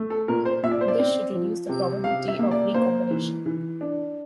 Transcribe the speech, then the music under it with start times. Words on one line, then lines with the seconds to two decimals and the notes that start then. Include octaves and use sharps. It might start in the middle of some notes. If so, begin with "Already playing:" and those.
This should reduce the probability of recombination.
Already playing: A3
0.10 A4
0.28 A#2 A#4
0.45 C5
0.63 A#2 E5
0.71 D5
0.81 C5
0.88 D5
0.99 C4
1.34 F3
1.69 C3
2.04 C3 F5
2.28 E5
2.39 A#3
2.51 D5
2.74 A#3 C5
3.11 E3
3.46 E3
3.81 D4